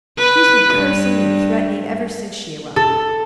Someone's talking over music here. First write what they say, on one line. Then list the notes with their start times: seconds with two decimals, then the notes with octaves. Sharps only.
She has been cursing and threatening ever since she arrived.
0.18 B4
0.73 G2
2.76 A4